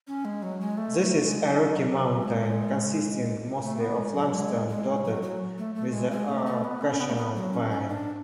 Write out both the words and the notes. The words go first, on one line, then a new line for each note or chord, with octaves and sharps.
This is a rocky mountain, consisting mostly of limestone, dotted with the occasional pine.
C#4
G#3
F#3
G#3
A3
A3
G#3
F#3
G#3
A3
B3
G#3
F#3
G#3
G#3
F#3
F#3
A3
A3
G#3
G#3
A3
A3
B3
C#4
B3
A3
B3
F#3
C#4
C#4
D4